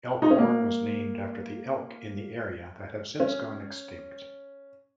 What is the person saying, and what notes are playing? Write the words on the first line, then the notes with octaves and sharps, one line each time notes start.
Elkhorn was named after the elk in the area that have since gone extinct.
D#4
C#4
A#3
C#4